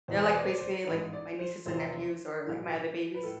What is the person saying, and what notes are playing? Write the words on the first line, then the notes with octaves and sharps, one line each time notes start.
they're, like, basically, like, my nieces and nephews or, like, my other babies.
E1 E2 B2 C5
D5
C5
D5
C5
D5
C5
A1 G#2 E3 B4
D5
C5
F1 E2 C3 F3 C5
B1 A2 E3
B4
A2 A4